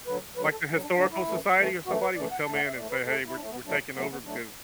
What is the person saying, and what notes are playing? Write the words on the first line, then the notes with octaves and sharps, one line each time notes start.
Like, the historical society or somebody would come in and say, "Hey. We're we're taking over because
D2 D3 F#3 B4
D2 D3 F#3 B4
A4
D2 D3 F#3
D4
D2 D3 F#3 D4
E4
F#2 E3 A3
F#2 E3 A3
F#2 E3 A3 F#4
B4
F#2 E3 A3 D5
F#5
A2 A3 A5
F#5
E5
A2 A3 D5
B4
A2 A3 A4
E4
A2 A3 D4
B3
A2 F#3 A3 D4
A2 F#3 A3 B3
B3
A2 F#3 A3 D4